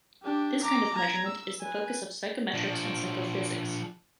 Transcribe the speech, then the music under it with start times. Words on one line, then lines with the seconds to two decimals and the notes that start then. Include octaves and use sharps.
This kind of measurement is the focus of psychometrics and psychophysics.
0.23 D4 G4
0.62 A#5 D6
0.94 A#5 G#6
1.26 E6
1.61 B4 G#5
2.54 F3 D4